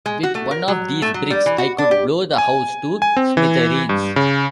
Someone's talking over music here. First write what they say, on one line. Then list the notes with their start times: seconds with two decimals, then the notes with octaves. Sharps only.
With one of these bricks I could blow the house to smithereens.
0.06 G#3
0.23 F#4
0.35 A3
0.51 A#4
0.68 F#3
1.02 A3
1.14 F#3
1.30 G3
1.46 E3
1.58 F#4
1.78 D4
1.91 G4
2.38 G#5
3.02 G#5
3.17 C4
3.37 E3
3.89 G2
4.16 C#3